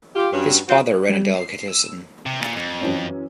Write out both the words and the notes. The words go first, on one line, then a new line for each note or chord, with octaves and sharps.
His father ran a delicatessen.
F4 G4
G2 F#3 C#4
F3 C4 F#4 C5 C#5 F5
G3
C7
E6
C3
A#2
F2
F#2 E3 C#4